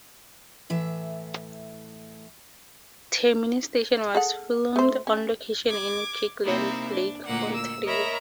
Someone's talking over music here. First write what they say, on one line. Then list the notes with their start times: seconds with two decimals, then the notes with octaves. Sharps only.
Termini Station was filmed on location in Kirkland Lake Ontario.
0.70 A2 E3 E5
4.15 G#4 A4 F#5
4.76 A3 C5
5.07 C#4
5.68 D6 G#6
6.44 C3 A#3 C4 D#4 E4
6.91 D4
7.27 D2 A#2 A#3 F#5
7.55 E6
7.85 A#4 C#5 D#5 E5 A#5 B5